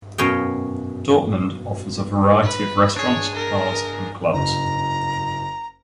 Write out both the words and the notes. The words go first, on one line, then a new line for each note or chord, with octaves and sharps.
Dortmund offers a variety of restaurants, bars and clubs.
F#2 B2 C#5 D#5 F5 G5
B4
D4 G#4 C#5
A#4
F#1 A#5